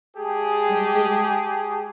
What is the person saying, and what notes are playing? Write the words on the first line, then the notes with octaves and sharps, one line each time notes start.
It's just
G#3 G4 G#4 A5